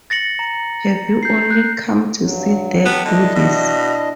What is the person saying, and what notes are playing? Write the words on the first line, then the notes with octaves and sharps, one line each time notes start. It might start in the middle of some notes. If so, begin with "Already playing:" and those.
Have you only come to see dead bodies?
A6 A#6 C#7 F#7
A#5
G6 C7
F#6 G6
G2 F#3
F#3 B3 G4 A5
D3 D4 E4 D#5
B2